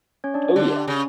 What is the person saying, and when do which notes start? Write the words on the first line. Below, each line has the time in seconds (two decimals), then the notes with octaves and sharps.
Oh, yeah,
0.24 C#4 C#5
0.34 D4 D5
0.44 D4 D5
0.55 D3 G4
0.87 C#3